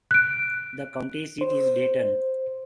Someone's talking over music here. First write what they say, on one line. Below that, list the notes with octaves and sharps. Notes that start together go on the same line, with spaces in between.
The county seat is Dayton.
F#6 D7
C5